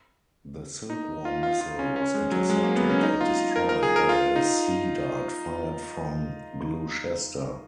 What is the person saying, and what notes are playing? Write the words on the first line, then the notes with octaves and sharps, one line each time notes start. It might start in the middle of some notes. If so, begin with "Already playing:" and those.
The Silkworm missile was intercepted and destroyed by a Sea Dart fired from "Gloucester".
D#4
F4
F4
F4
C#4
C#4
G#3
F#3
G#3
A#3
B3
C#4
D#4
F4
A#4
A#4
G#4
A#4
F4
D#4